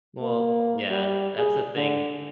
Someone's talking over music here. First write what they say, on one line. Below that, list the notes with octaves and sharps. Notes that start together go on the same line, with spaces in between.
Well yeah, that's the thing.
A#3
G3
G#4
D3